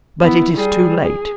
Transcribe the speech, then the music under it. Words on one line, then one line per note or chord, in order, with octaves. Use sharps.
But it is too late.'
B3 E4
G3 G#4
G#4